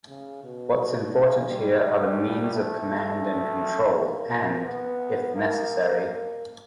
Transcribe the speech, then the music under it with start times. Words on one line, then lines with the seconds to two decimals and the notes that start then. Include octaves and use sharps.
What's important here are the means of command and control and, if necessary...
0.09 C#3
0.44 B2
1.14 C#3
1.49 G3
2.54 A3
3.95 A#3
4.65 B3
5.36 A#3
6.06 A#3